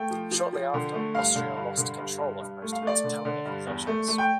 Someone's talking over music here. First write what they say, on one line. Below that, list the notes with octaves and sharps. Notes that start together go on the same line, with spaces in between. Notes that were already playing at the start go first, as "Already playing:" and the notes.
Shortly after, Austria lost control of most of its Italian possessions.
Already playing: A3 G5
F3
F3
F3
D3
A3
G2 F5
D3
G2
D3
G2
G2
G2
A3
F5
A3
D5
D3
D3
G2
E2
A3
A3
G5